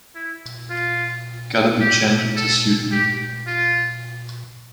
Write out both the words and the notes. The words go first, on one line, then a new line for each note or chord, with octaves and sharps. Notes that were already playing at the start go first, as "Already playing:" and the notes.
Gotta be gentle to suit me.
E4
F4
G4
A4
G4
F4